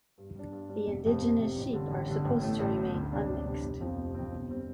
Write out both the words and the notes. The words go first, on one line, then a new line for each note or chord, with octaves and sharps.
The indigenous sheep are supposed to remain unmixed.
G2
G3 D4
G2
G3 D4
F1
F2 C3
F1
F2 C3
A1
G2 D3
A1
G2 D3
A1
A2 A3
A1
A2 A3
D2
C3 G3 D4
D2
C3 G3 D4
F1
F2 C3 F3 C4
F1
F2 C3 F3 C4
G1
G3 C4